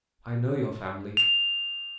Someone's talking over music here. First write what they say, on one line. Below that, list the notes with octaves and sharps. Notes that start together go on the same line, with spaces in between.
I know your family.
F7